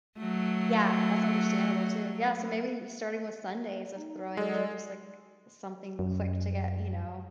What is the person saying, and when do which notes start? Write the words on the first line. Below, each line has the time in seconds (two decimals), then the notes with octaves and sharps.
Yeah. That's understandable too. Yeah. So maybe starting with Sundays of throwing in just, like, something quick to get, you know,
0.17 F#3 A3
3.96 D#4
4.37 G#3 A4 D5 D#5
5.99 F#2